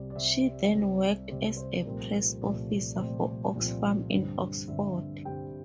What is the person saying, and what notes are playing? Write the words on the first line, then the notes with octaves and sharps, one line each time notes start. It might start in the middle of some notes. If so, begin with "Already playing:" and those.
She then worked as a press officer for Oxfam in Oxford.
Already playing: C2 C3 G3 C4 D5
D5
C2 C3 G3 C4 E5
C2 C3 G3 C4
C2 C3 G3 C4 D5
C5
C2 A#2 F3 A3 C4 A#4
C2 A#2 F3 A3 C4 D5
C2 A#2 F3 A3 C4
C2 A#2 F3 A3 C4
G2 D3 G3 C4
G2 D3 G3 C4 E5
G2 D3 G3 C4 G5